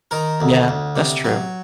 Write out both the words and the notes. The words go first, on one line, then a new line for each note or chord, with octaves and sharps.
Yeah, that's true
D#3 A#4
D2
D2
C3
F#3